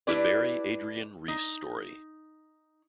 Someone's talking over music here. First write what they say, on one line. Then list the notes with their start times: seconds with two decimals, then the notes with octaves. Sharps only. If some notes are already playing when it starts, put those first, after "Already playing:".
The Barry Adrian Reese Story.
0.07 D4 E4 G4 B4 D5
1.28 D#4